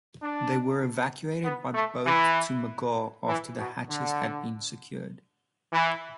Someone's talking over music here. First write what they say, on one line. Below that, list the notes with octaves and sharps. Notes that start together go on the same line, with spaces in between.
They were evacuated by boat to "McGaw" after the hatches had been secured.
D4
B3
A3
E3
E3
B2
D3
E3